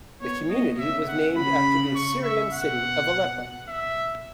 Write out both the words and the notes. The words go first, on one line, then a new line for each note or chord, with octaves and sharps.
The community was named after the Syrian city of Aleppo.
B3 C#5
B3 D#5
C#3 E5
F#5
C#3 B5
C#6
E5
B2 F#5
E5